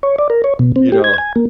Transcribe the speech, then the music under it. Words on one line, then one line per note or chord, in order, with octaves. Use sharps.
you know.
C#5
D5
A#4
C#5
B2
C4
G4
G#6
G#5
A#3